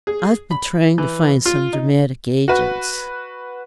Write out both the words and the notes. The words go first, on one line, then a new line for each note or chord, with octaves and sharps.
"I've been trying to find some dramatic agents."
G#4
B5
E3
F4
D#4
F#4 B4